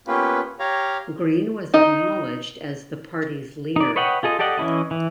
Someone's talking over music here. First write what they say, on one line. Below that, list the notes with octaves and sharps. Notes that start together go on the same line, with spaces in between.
Green was acknowledged as the party's leader.
A#3 B3 C#4 F4 G4 B4
G4 C#5 F5 A#5
D#4 D#5
D#4 D5
B4 C#5 D#5 F#5 G5
F4 G#4 A4 D#5
G4 A4 D5 D#5 F#5
E3 C#4 E4 D#5
E3